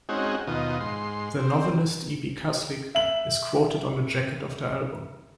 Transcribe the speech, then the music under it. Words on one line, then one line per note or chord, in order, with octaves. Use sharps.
The novelist Ibi Kaslik is quoted on the jacket of the album.
G#3 C4 C#4 D#4 F#4
D#2 B2 F3 D#5
G#2 C6
C4
E5 F#7